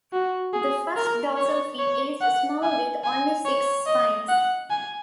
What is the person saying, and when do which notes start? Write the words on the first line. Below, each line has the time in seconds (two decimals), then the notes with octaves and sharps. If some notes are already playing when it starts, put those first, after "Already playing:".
The first dorsal fin is small with only six spines.
0.13 F#4
0.53 G#4
0.96 A#4
1.37 C#5
1.79 C#5
2.21 F#5
2.63 G#5
3.04 G#5
3.45 C#5
3.86 D#5
4.29 F#5
4.70 G#5